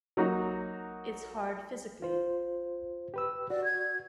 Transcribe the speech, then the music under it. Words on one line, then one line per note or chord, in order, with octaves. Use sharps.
It's hard physically.
F#3 A#3 D#4 F#4
F4 C5
G4 B4 E6
F#4 D5
G#6